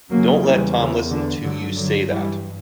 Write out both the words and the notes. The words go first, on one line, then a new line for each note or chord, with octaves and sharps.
Don’t let Tom listen to you say that.
E2 C#3 F#3 A#3
E3 G3
C#3 E3
D3
G2 D3 F#3
D3 F#3
E3 G3